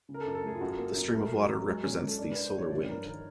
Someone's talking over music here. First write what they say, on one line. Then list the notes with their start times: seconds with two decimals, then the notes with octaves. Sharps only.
The stream of water represents the solar wind.
0.09 C#3
0.14 A#4
0.21 A4
0.26 F#2 A#4
0.35 A4
0.43 A3 G#4
0.55 F4
0.60 F#2 F#4
0.78 A#3
0.95 F#2
1.13 A3 A#4
1.31 F#3
1.48 F#3
1.66 G#3
1.84 C#4
2.00 G#3
2.08 A4
2.18 D4 A#4
2.31 D4 B4
2.45 C5
2.54 F3 C#5
2.71 G2 D5
2.88 G2 A#4
3.06 D#3 A#4